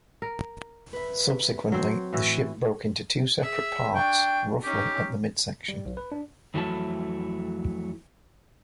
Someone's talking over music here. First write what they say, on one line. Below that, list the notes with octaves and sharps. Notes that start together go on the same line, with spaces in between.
Subsequently, the ship broke into two separate parts, roughly at the midsection.
A#4
B4 E5
F#3 C4
A2 E3 F#4
G#4 E5
D4 G5 C#6
C#4 D#4 G4
G3
B1
B4
D4
F2 E3 F#3 A3 E4 A5